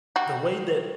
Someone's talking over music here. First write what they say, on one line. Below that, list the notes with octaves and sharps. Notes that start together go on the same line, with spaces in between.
the way that
G3 F#4